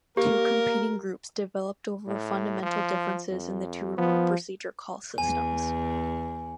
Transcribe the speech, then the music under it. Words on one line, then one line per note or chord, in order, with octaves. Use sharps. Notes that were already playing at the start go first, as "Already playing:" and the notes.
Two competing groups developed over fundamental differences in the two remote procedure call systems.
A#3 G4 A#4
A2
F3
F2
F3 B3
E2 G#5